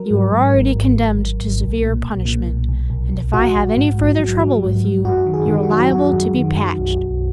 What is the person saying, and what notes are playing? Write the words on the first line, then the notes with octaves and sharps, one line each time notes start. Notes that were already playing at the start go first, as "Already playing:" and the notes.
"You are already condemned to severe punishment, and if I have any further trouble with you, you are liable to be patched."
Already playing: F#3 A#4
G#2
G#2
G#1
G#1
G#1
G#1
G#1
B1
A#2
B1
A#2
B1
B1
B1
B1
A#1 F#4
A#1
G#2
A#1
F#3
F#3
G#2
G#2
F#2 F#4
D#3
G#4
D#3
F#4
F#3
F#2 F#4
F#2
D#3
F#2
B1
B1